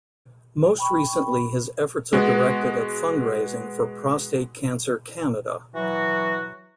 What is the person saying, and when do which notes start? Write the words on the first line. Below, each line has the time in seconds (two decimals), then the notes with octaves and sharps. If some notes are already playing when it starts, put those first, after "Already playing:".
Most recently his efforts are directed at fundraising for Prostate Cancer Canada.
0.78 G5 B5 C#6
2.13 G#3 B3 F#4
5.74 E3 F#3 F#4